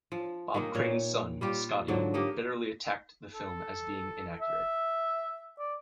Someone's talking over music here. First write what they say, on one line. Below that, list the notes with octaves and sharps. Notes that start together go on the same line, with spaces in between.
Bob Crane's son, Scotty, bitterly attacked the film as being inaccurate.
F3
D#3 G#3 A#3 D#4
A#2 C#5
G3 F4 G4
G#2 D3 F3 F#3
A#3 D#4 G4
A4
E5
D5